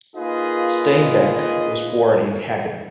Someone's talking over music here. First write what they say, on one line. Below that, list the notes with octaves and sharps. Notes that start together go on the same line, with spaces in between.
Steinbeck was born in Hagen.
A#3 D#4 F4 G#4 B4 D#5